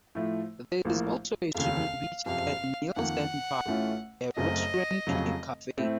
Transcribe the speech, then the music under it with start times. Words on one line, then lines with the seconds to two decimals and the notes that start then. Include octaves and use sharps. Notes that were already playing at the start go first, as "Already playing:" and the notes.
There is also a swimming beach at Nielsen Park, a restaurant and a cafe.
0.15 A2 F3 A3
0.85 A#1 A2 F3 A#3
1.55 F1 D#2 C#3 F5
2.25 F#1 F2 C3 F5
2.96 F2 D#3 A#3 F#5
3.66 A1 A2 A3 C#4 F4
4.36 F#1 F#2 C#3 A3 C4 D#5
5.07 F1 F2 C#3 F#3
5.77 A2 A3 C4